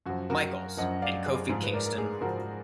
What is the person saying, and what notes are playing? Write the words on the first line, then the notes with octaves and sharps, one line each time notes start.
Michaels, and Kofi Kingston.
F#2 F3 F#4
F#4 A#4
F#2 F3 D#5 F#5
D5 F5
G#4
G#2 F3 G#4
B4
A#4 D5
A#4
G#4
G#2 F3 F#4 A#4